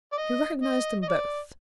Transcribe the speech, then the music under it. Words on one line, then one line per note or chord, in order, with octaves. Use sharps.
He recognised them both.
D5
D#5
D#5
D#5
D5